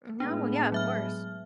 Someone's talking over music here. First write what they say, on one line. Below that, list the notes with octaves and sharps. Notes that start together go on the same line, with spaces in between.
No, yeah, of course.
A2 G#3 B3 D4
F#3 E5 F6